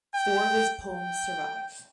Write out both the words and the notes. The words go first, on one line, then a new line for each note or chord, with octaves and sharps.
Four of his poems survive.
G5
G5